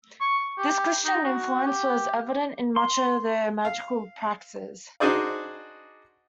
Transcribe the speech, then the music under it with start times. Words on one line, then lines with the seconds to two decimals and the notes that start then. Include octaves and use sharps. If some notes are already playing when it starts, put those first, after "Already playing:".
This Christian influence was evident in much of their magical praxes.
0.21 C#6
0.58 G4
1.04 D#4
1.25 F#4
1.66 G4
2.76 C6
3.65 F5
5.00 D4 D#4 F#4 G#4 C5 D5